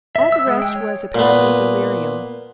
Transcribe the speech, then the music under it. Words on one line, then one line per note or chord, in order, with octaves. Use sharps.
All the rest was apparently delirium.
E5
E6
G#3
G5
C#5
A#2 B3